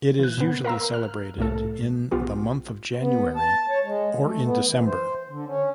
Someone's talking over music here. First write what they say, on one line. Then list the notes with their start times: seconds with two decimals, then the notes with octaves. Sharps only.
It is usually celebrated in the month of January or in December.
0.19 E3 F#6
0.38 A#2 B3
0.64 A#4 F5 A#5 E6
0.94 F6
1.38 C2 A2 A3 A4
2.11 B1 B3 F4 G4
2.99 B3
3.36 A5
3.69 C#5
3.84 G#3
4.21 A3
4.43 B3
4.68 E3
4.86 C5
5.30 D3
5.46 C#4